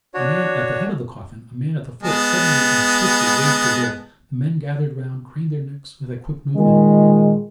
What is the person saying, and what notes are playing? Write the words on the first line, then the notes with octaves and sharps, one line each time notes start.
A man at the head of the coffin, a man at the foot suddenly and swiftly raised the lid: the men gathered round craned their necks with a quick movement.
D4 F#4 C#5
G#3 B3 A5
A#2 D#3 G#3